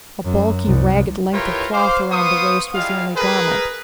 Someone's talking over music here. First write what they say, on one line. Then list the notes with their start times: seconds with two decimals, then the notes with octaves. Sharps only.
A bulky, ragged length of cloth around the waist was the only garment.
0.25 F#2
0.66 C2
1.33 E4 F4 G4 A#4 B4 C#5
1.73 C5 F5 D6
2.11 B3 C5 F5 C#6 D#6
2.74 G3 G#3 E4 F4 F5
3.16 G#4 A#4 B4